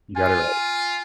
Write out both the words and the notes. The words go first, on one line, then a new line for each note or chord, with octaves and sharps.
you got it right,
F4 G#5